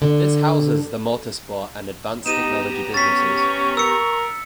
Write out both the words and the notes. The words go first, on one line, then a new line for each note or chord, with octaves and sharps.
This houses the Motorsport and Advanced Technology businesses.
D3
B3 D#4 G4 A#5 D#7 E7
C#4 C#6 A6 B6
A#4 E6 C#7